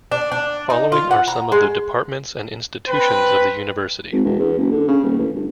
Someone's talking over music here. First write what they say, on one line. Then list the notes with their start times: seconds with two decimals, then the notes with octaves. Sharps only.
Following are some of the Departments and institutions of the university.
0.12 D4
0.32 D4
0.70 D#4
0.92 F4
1.11 F#5
1.28 A#5
1.52 G#3
2.88 C4 B4
4.12 G#1
4.24 E1
4.40 E2
4.58 F#1
4.71 D3
4.88 C#3
5.04 D#1
5.19 A1
5.35 G1